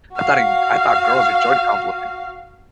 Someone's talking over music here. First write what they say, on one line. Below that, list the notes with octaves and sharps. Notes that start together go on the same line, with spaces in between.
I thought in I thought girls enjoyed compliments.
F#4 F5